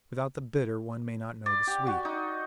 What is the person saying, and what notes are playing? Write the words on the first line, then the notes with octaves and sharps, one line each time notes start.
Without the bitter one may not know the sweet.
D5
G4
F#4
D#4